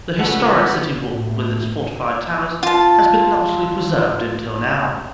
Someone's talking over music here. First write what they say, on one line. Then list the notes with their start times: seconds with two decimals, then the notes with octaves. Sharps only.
The historic city wall with its fortified towers has been largely preserved until now.
0.19 C#2 B3 C#4 A4 B4 F#5
1.09 A2
2.63 F4 A5